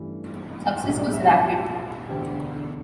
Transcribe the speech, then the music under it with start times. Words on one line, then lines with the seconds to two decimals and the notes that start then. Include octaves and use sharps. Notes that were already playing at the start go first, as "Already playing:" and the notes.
Success was rapid.
Already playing: A1 G2 E3 A3
0.83 B1 A2 G3
0.99 D5
1.14 E5
1.30 E5
1.45 G4
2.08 E1 D2 D3 G4